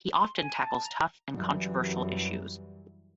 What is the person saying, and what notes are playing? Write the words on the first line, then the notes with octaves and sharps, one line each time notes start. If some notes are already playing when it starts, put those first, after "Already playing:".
He often tackles tough and controversial issues.
C6
G#5
A5
A#5
F#2 E3 F#3 G3